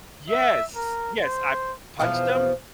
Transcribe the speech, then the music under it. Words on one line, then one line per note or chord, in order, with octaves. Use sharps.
Yes, yes, I punched him,
E5
A#4
C5
E2 B2 F3 F5